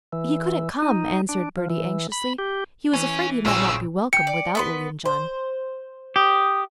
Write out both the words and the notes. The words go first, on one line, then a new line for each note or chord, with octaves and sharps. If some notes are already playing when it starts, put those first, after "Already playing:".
"He couldn't come," answered Bertie anxiously--he was afraid he might not be welcome without William John.
E3
D#4
D4
F3
E3
B5
G4
E3 C#4
A#1 G2 C#3 C4 C#4 F4 E6
G4 C#7
D5
B3 B4 C6
C5
G4 D#6